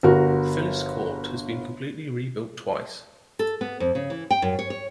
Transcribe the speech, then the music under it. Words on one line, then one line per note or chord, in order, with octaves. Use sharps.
Phyllis Court has been completely rebuilt twice.
G1 F#4 A#4
A4
B3
F2
C#3
E3
G5
F#2
C#5
C#5